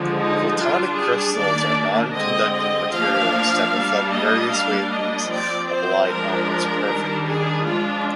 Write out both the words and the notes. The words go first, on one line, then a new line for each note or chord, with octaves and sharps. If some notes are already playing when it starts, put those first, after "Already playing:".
Photonic crystals are non-conducting materials that reflect various wavelengths of light almost perfectly.
Already playing: D3 F3 G#3
D#4
G3 D4 F4
G#4
D#3 A#3 D4 D5
D3 G#3 C4 D#5
D#5
F3 A#3 D4 F5
G3 A#3 D4
D#5
G3 A#3 D4 F5
D#5
F3 C4 D5
C5
F3 G#3 D4 A#4
D#3 G3 D4
G#4
F3 G#3 D4 F4